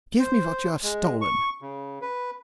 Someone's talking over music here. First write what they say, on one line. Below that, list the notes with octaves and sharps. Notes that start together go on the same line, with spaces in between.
'Give me what you have stolen!'
C5
G#3
C#6
C#3
B4